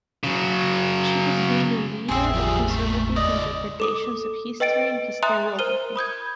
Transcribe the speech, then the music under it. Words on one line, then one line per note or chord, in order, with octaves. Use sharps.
She has been a leader of conservative interpretations of history and historiography.
C#3 F#3
G#1 E2 A2 C4 G#4 C5 E5 G5
F3 G3
A3 A#3
C#2 D5 D#5
A4 D6 D#6
B4 D#5 G5 A6 D7
E5 G#5 A#5 C6 D#6 F#6
A#4 C5 F6 D#7 G7
B5 D#6 G6 G#6